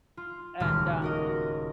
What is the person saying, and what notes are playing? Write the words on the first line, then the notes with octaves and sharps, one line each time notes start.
and, um
F4
D#1 C#2 F#4 F6
F#4 A#4 D#5